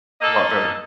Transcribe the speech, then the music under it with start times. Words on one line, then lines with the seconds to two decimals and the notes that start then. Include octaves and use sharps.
a lot better.
0.22 A#3 A4 D#5